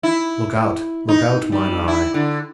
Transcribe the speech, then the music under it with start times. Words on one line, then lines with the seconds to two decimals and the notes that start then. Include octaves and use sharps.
Look out, look out, mine eye!
0.03 E4
1.09 D#4
1.52 G3
1.88 E4
2.14 D3